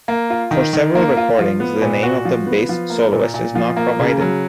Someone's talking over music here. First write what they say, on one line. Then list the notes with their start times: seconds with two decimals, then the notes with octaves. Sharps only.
For several recordings, the name of the bass soloist is not provided.
0.08 A#3
0.30 F4
0.51 D#3
0.73 D#3
0.95 A#3
1.17 F4
1.39 F3
1.60 B3
1.82 A#2
2.03 F#4
2.25 F3
2.46 B3
2.69 F3
2.90 A#3
3.12 A#2
3.34 A#2
3.55 F3
3.77 A#3
3.99 C#3
4.21 F#3